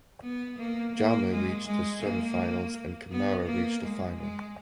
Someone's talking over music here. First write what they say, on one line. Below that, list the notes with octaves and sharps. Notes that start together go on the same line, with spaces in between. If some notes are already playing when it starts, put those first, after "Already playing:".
Jammeh reached the semifinals and Camara reached the final.
B3
A#3
A#3
G#3
G#3
A#3
B3
A#3
G#3
G#3